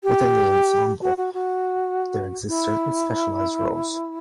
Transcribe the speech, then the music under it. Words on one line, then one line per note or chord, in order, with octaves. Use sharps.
Within the ensemble there exist certain specialized roles.
G4
F#4
F#4
F#4
E4